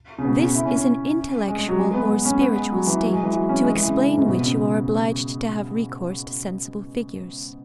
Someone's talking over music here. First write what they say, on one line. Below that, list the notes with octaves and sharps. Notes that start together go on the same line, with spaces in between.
This is an intellectual or spiritual state, to explain which you are obliged to have recourse to sensible figures.
C#3
B2
C#3
E4
C#4
C#4
G#3
G#3
F#3
G#3
B3
B3
C#4
B3
G#3
F#3
E3
F#3
G#3
E3
F#3
C#4
G#3
E3
C#3
G#2
B2
C#3